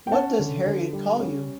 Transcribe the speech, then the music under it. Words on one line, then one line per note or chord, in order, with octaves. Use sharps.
What does Harriet call you?
G5
C#4 F#5 A5
D3
D3
G3
C#4